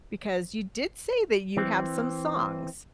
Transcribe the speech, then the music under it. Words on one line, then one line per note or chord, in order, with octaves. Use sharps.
because you did say that you have some songs,
E3 C4